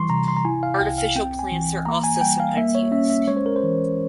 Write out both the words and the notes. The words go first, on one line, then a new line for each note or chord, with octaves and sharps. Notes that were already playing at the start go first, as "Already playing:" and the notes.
Artificial plants are also sometimes used.
Already playing: E3 G3 C6 C#6
C3 A#5
C6
A#5
E4 G#5
F5
C2 G5
F5
C4 G5
G#5
E3
A#3 A#5
G#5
G#5
G3 G5
F5
A#3 E5
C#5
C#4 E5
E5
G#3 C#5
C5
A#4
C5
E3